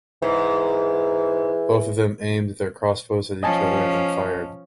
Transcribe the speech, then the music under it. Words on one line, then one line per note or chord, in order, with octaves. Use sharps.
Both of them aimed their crossbows at each other and fired.
G#2 E3
F3 C#4 D#5 G#5 A5